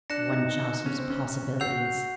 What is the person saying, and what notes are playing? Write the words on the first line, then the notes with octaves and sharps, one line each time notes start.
One jostles possibilities.
D4 F#6 A#6 C#7 E7
D#4
C#4
C4
C#4
F#4 E6 G6 C7 F7